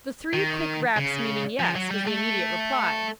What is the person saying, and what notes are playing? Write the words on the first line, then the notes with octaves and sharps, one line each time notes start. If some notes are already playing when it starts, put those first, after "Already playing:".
The three quick raps meaning "Yes" was the immediate reply.
D#3
C#3
F3
F#3
G3
A3